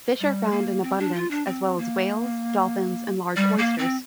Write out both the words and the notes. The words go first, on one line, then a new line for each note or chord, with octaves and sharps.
Fish are found in abundance, as well as whales, dolphins and large oysters.
G3
A#3
C4
D4
F4
D4
C4
A#3
G3
A#3
C4